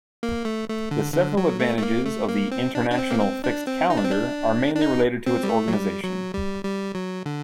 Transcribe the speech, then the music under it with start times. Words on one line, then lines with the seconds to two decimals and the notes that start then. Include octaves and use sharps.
The several advantages of The International Fixed Calendar are mainly related to its organization.
0.23 A#3
0.45 A3
0.69 A3
0.91 D3
1.14 D3
1.37 F#3
1.60 A3
1.78 A3
1.83 A#3
2.06 A3
2.28 A#3
2.52 C4
2.75 D4
2.90 D4
2.98 C4
3.11 A#3
3.20 C4
3.44 D4
3.67 C4
3.90 D#4
3.97 D4
4.04 C4
4.11 D4
4.75 D4
4.82 D#4
5.26 C4
5.43 G3
5.49 A3
5.68 F#3
5.73 G3
6.04 F#3
6.34 G3
6.65 G3
6.95 F#3
7.26 D3